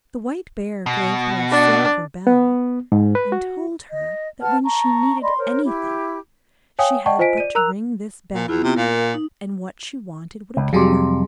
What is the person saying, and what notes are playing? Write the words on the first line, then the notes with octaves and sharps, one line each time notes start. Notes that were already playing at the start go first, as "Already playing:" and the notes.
The White Bear gave her a silver bell, and told her that when she needed anything she had but to ring this bell, and what she wanted would appear.
B2
D4
B3
G#2
B4
F#4
D#5
B4 F#5 A5 F6
A5 A#5 C#6
D5 D#5 B5 C6
A#4 C5 C#5
E4 G4
C#5 F5 G5 G#5 D#6
D5 D#5 F#5 G5 A5 C#6
F4 C5 D#5 G#5 B6 D7
D5 D#7
A#4 A#5 E6 F#6 F7
A#2
E2 B3 E4 F4
C3
A#2 A#4 F5
D#4
C#2
F2 C3 F#3 G3 G#4